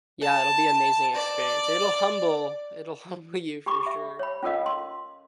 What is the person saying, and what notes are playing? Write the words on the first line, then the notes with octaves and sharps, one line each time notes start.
yeah, it'll be amazing experience. It'll humble it'll humble you for sure.
A5
D5
G4 G#5 B5 C#6 D6
E5
C#5 B5
C#4 F4 A4 A#4 D#5 F5
C6